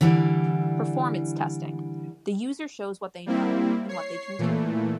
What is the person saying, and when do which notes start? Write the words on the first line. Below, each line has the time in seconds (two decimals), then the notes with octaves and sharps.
Performance testing - The user shows what they know and what they can do.
0.01 D3 E3 G3 D4
3.26 G3 A#3 C4 E4
3.89 C#5 C7
4.39 A#2 E3 A3